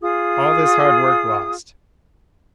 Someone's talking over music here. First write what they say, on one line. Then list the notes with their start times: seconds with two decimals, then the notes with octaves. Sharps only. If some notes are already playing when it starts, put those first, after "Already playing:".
All this hard work lost!
0.02 F4 G#4 D#6